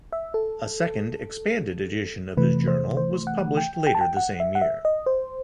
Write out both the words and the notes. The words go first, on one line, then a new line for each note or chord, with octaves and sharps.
A second, expanded edition of his journal was published later the same year.
E5
A4
C3 E3 A3 B4
C5
C5
F#5
G5
G5
A5
G5
F#5
E5
F#5
E5
D#5
C5